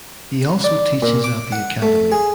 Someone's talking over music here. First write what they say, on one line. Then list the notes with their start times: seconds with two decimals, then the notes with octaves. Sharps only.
He also teaches at the academy.
0.64 D5
1.02 A#2
1.24 D6
1.52 F#5
1.82 A3
2.12 G#4